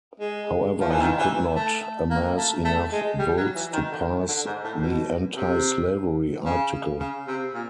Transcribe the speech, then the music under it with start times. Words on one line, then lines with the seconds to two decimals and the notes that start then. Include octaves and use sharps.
However he could not amass enough votes to pass the anti-slavery article.
0.20 G#3
0.80 F3
0.91 E3
1.01 D#3
1.19 E3
1.56 A3
2.10 A#3
2.37 A3
2.65 A3
2.92 G#3
3.19 G3
3.37 F#3
3.55 E3
3.73 D#3
3.91 D3
4.28 D3
4.46 G#2
4.64 A2
4.82 B2
5.36 C3
6.45 C#3
7.00 C#3
7.27 C3
7.54 A#2